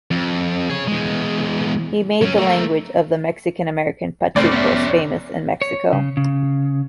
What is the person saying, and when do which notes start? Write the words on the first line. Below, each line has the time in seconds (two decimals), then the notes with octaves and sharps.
He made the language of the Mexican American pachucos famous in Mexico.
0.11 F2
0.70 G#4 C#5
0.88 E2 G#3
2.22 F#3 C#4
2.38 A3 A#3
4.36 F1 G2 A3 C4 D5
4.52 B3 C#4 E5
5.62 C#5
5.92 C#3
6.17 C#3